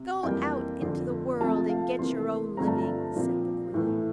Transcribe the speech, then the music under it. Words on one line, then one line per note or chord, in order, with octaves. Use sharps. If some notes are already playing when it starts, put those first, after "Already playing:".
"Go out into the world and get your own living," said the Queen.
Already playing: C3
F2 E3 G3 A#3 G5
F2 D3 F3
C3 F3 A3 C4 A5
F5
C3 E3 A#3 C6
G2 D3 F3 A3 C4 A#5
A5
A#5
A#2 F3 C4
A2 E3 A3